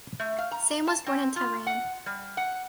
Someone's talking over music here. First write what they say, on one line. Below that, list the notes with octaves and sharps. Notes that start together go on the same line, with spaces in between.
Sam was born in Tehran.
A3
F5
A#5
A5
C4
F4
F#5
G3
F#5